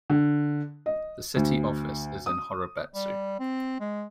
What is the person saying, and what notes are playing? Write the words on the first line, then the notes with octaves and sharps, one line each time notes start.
The city office is in Horobetsu.
D3
D#5
D2
D#6
G3
C4
G#3